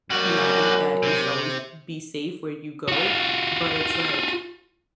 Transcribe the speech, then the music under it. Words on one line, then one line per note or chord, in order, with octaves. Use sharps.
you know, I think that you should always be safe where you go, but it's like,
F#2 G3 F#4
C3
F4 F#4